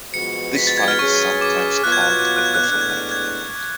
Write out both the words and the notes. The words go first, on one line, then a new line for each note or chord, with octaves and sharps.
This file is sometimes called a "gophermap".
F3 G#3 B3 F#4 B4 C#7
B6
A6
G#6
F6
F#3 C#4 G#4 B4 C#6
D6
B2 F#3 B3 F4 F#6
G#6
F#6
G#6
F#6
G#6
F#6
G#6
F#6
G#6
A2 G#3 B3 D4 F#6
G#6
F#6
G#6